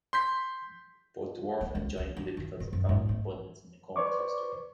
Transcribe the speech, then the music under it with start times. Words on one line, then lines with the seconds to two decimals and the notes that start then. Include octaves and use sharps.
Both dwarf and giant ellipticals are found in abundance in the Coma Cluster.
0.13 C6 G6 B6
1.61 A#3
1.75 C#2
1.97 D4
2.17 D4
2.37 D#3
2.60 C#3
2.73 F#2
2.89 G#2
3.09 A3
3.96 B4 C5 D5 C#6 D6